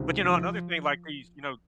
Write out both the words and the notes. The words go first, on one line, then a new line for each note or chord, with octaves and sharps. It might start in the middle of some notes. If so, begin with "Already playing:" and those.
But you know, another thing, like, these, you know
Already playing: C#2 C3 D#3
F3